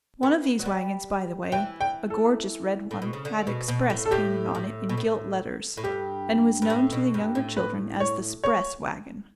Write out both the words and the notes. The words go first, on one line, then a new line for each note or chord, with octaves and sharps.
One of these wagons, by the way, a gorgeous red one, had "Express" painted on it in gilt letters, and was known to the younger children as the "'spress" wagon.
B3
F#3
G3
E3 G5
G5
A4
A2
B2
C#3
D3
B2
B2
A2
A4
A2 G4
A2
B2
A2
A2
G2 G4
G2
A2
B2
G2
A2
B4
C#5
C#5